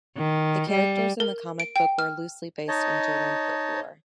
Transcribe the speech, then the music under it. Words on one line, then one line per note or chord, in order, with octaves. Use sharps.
The characters in the comic book were loosely based on German folklore.
D#3
G3
A#4
D7
G5
F6
D#4 C#5 D#5 A5